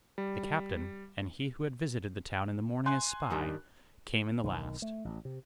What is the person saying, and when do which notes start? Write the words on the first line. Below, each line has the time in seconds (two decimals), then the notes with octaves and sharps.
The captain, and he who had visited the town in the morning as spy, came in the last.
0.18 G3
2.86 G#5 C6 F#6
3.30 G2 D#3 G3
4.43 B1 D#3
4.82 A3
5.05 A1
5.25 C3